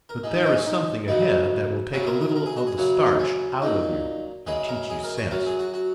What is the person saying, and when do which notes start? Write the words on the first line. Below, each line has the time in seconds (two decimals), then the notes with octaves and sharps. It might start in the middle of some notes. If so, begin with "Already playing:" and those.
But there is something ahead that will take a little of the starch out of you and teach you sense.
0.09 A#4
0.24 G#2 G#3
0.34 D#4
0.45 D#4
0.55 C#4
0.66 D#4
1.08 F#2 C#3 F#3 D#4
1.93 F#2 C#3 F#3 F#4
2.07 A#4
2.21 A#4
2.36 A#4
2.46 G#4
2.56 F#4
2.67 G#4
2.77 F#2 C#3 F#3
3.06 D#4
3.20 C#4
3.62 A#2 F#3 D#4
4.47 F#2 C#3 G#3 G#4
4.68 A#4
4.90 G#4
5.03 A#4
5.17 C#5
5.31 F#2 F#3 A#4
5.46 G#4
5.59 F#4
5.74 F#4